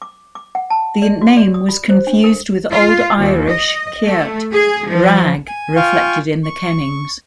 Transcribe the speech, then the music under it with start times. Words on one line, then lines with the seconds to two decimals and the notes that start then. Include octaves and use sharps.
The name was confused with Old Irish "ceirt" 'rag', reflected in the kennings.
0.02 D6
0.35 D6
0.55 F#5
0.70 A5
1.02 D5
1.22 F#4
1.37 D5
1.54 D#6
1.69 B5
1.89 C5
2.07 D4
2.24 A#4
2.70 F4
3.19 D#2
3.48 D#5
4.06 A3
4.52 G#4
4.87 F3
5.48 G#5
5.76 F4 F5 G5 G#5 C#6
6.44 C#6